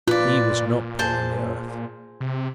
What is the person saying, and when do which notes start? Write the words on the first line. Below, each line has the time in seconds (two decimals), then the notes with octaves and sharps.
He was not pawing the earth.
0.07 A#2 F4 B4 D5
0.99 G#4 C5 A5
2.20 C3